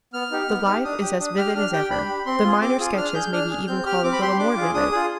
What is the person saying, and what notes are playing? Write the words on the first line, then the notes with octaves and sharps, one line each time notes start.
The life is as vivid as ever; the minor sketches may be even called a little more vivid.
B3 F6
D#4 G4
B3
D#4 G4
D4 D#6
G4
D4 D#6
G4 F6
D4 F6
G4 G5
D4 B5
G4
C4 C6
F4 G#4
C4 D6
F4 G#4 D#6
D4 F6
G#4 G6
D4 F6
G#4
C4 G6
G4 F6
C4 D6
B5
G4 C6
D4 D6
F4 G#4
D4 D#6
F4 G#4